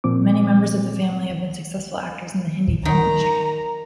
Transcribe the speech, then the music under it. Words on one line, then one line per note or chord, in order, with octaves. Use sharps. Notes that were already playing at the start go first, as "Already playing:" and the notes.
Many members of the family have been successful actors in the Hindi film industry.
A#2 F3 C4 D6
D#3 A#5